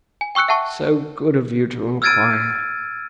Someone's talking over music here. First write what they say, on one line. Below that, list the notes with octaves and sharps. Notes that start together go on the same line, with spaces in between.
So good of you to inquire!
G#5
G5 C#6 E6 F#6 C#7
E5 F#5 A5 C#6
E6 F6 G#6 A6 D7 D#7